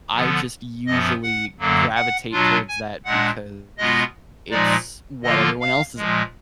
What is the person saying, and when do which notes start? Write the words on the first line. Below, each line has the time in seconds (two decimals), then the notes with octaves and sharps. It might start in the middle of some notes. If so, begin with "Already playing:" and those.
I just usually gravitate towards that because it's what everyone else is
0.14 D3 F3 B3
0.86 F#2 F3 B3 D#5
1.23 F#5
1.59 F#2 D3 F#3 A#3
1.95 F#5
2.32 B2 F#3 D4 F4
2.69 G#5
3.05 A#2 G#3 D4 F#5
3.78 B2 G#3 B3 F4 D#5
4.51 A#2 F3 G#3 D#4 D5
5.23 D3 F3 A#3 F4 D#5
5.60 F5
5.97 A#2 F3 G#3